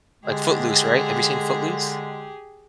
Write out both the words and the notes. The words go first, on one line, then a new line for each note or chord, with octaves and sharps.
Like, Footloose, right? Have you seen Footloose?
D3 G#3 G4 G#4